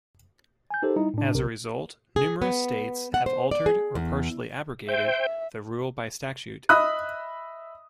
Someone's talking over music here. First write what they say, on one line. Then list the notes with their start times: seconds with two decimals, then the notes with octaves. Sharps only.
As a result numerous states have altered or partially abrogated the rule by statute.
0.70 G#5 G6
0.83 D#4 G4 A4 A#4 C5
0.96 G3 D#4 E4
1.14 A2 D4
1.34 B1 C3 A#4
2.16 G#4
2.42 B3
3.14 F#5
3.26 C5
3.51 D5
3.66 G#4
3.95 E2
4.89 C5 E5 G5
6.69 D#5 E5 B5 D#6 F#6